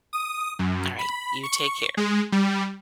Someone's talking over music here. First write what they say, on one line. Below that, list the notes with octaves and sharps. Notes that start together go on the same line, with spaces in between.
Alright, you take care.
D#6
F#2
B5
C#6
G#3
G3